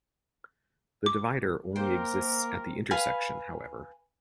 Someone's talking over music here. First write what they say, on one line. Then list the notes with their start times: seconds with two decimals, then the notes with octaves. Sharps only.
The divider only exists at the intersection, however.
1.06 D6
1.76 A#3 A#4 C5 G5
2.91 B4 F5 G#5 B5